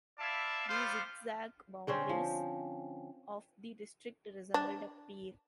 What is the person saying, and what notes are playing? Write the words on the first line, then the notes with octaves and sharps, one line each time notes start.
The zigzag boundaries of the District resemble a pear.
E4 F4 D5 E5 F5 A5
G3 B3 F4 C5 F5
D3 C4 C#4 C5
F3
D4